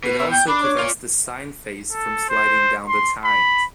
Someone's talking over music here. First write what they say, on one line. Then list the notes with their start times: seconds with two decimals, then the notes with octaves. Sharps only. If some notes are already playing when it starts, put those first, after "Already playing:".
It also prevents the sign face from sliding down the tines.
0.04 B2 B4
0.19 E5
0.31 G5 G6
0.48 D4 B5 D6
0.62 C#5
0.78 F4 D5
1.92 A4
2.29 C5
2.88 C6
3.24 B5